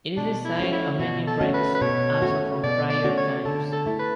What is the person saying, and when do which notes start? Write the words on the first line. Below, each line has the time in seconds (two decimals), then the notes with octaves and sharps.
It is the site of many wrecks, also from prior times.
0.17 B2 D4
0.45 E4
0.58 A3 C#4 F#4
0.72 E4
1.00 B2 F#4
1.27 A4
1.41 A3 C#4 F#4
1.54 B4
1.75 B4
1.81 B2 C#5
2.22 A3 C#4 F#4
2.63 B2 D5
2.90 D5
3.04 A3 C#4 F#4
3.18 C#5
3.45 D3 A4
3.73 A4
3.86 A3 E4
3.99 B4